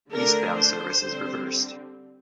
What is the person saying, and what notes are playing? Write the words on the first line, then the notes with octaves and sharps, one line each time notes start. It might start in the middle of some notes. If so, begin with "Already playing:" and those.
Eastbound service is reversed.
D3 A3 D4 A#4
C5
D3 G3 C4